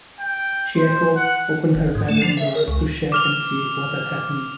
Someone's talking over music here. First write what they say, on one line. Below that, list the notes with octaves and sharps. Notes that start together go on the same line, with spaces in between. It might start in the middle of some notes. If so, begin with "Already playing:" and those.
Chieko opened her bedroom door to check and see what had happened.
G5
C5
F#5
F#1
G#2
A3
F3
E5
A#4
C#2
D6 F6 F7